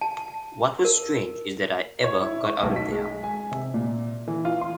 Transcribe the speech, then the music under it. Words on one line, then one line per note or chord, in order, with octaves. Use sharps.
"What was strange is that I ever got out of there".
A5
A#4
C#5
E4
C#6
B1
B6
G#3
G#5
C3
A#2
E3
F4
C6